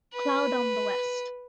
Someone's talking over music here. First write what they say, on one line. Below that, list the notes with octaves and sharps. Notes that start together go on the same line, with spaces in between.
Cloud on the west.
B4